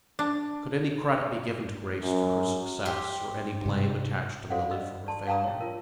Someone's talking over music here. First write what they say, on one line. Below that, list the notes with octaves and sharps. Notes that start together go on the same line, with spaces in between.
Could any credit be given to Grace for her success, or any blame attached to Lily for her failure?
D4
F#2
G4 C6
G#2 C3
F#4 A4 C5 D5 F5 F#5
D#5 E6
D5 A5 C6
F5 G5 A5 A#5 D#6
C#5 E5
F4 A#4